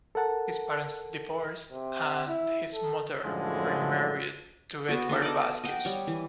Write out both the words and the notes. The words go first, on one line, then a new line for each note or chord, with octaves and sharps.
His parents divorced and his mother remarried to Edward Vasquez.
A4 A#4 F#5 A5
C3
E4
A4
F#2 A2 D3 F3 G#3
B3 F#4
B3 D4 D#4 A4
D5 D#5
D#5 F#5 G5
G3 C#5
E3